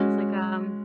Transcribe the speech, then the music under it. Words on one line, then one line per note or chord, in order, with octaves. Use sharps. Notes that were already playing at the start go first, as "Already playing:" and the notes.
I was like, um,
Already playing: G#3 C#4 F#4